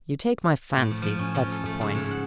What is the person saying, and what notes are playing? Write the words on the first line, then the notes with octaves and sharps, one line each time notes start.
You take my fancy; that's the point!
A2
F3
F3
C#4
F3
A4
A3
C#3
G#2
F#5